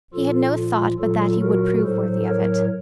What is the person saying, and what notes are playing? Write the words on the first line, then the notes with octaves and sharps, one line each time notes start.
He had no thought but that he would prove worthy of it.
A#2 F3 F4 A4
F4
A#2 F#3 F4 A4
F#4 A#4
A2 F#3 A4 C5
A#4 C#5